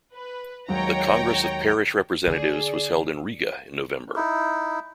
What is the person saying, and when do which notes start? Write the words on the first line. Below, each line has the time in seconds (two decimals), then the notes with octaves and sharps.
The Congress of Parish Representatives was held in Riga in November.
0.14 B4
0.68 D#2 F#3 G#3 C#5 G5 A#5
2.27 D3 G#4 D5
4.16 D#4 E4